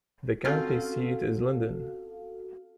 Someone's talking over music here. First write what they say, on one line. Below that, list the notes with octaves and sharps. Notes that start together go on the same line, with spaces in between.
The county seat is Linden.
C4 C#4 F4 F#4 A4 F5